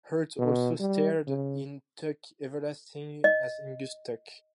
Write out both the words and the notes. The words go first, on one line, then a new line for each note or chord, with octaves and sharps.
Hurt also starred in "Tuck Everlasting" as Angus Tuck.
B2
G3
C#3
D#5